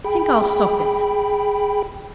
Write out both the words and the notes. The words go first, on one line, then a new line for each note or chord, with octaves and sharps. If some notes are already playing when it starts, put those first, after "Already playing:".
I think I'll stop it.
G#4 G5 B5